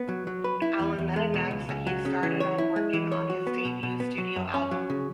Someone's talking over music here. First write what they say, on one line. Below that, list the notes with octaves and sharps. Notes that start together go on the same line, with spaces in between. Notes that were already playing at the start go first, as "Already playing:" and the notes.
Allan then announced that he started on working on his debut studio album.
Already playing: B3
F#3
F#3
B4
E4
E2
E2
G#3
B2
C#2
C#2
F#3
C#3
E3
C#5
E4
G#3
E3
C#5
F#4
B3
B2
B2
B3
F#3
F#2
C#4
F#3
C#3